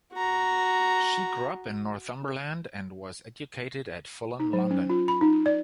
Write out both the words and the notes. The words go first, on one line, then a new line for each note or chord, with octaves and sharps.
She grew up in Northumberland, and was educated at Fulham, London.
F#4 A#5
D#4
F#3
C#4
F4
B5
D#4
D5